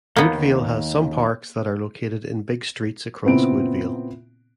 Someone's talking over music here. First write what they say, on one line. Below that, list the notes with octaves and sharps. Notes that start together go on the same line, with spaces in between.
Woodvale has some parks that are located in big streets across Woodvale.
D#2 A#3 B3
A#2 C#3 B3 C4 E4 D7